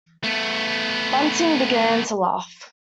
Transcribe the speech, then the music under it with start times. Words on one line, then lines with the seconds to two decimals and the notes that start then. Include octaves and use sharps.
Bunting began to laugh.
0.24 A3 B3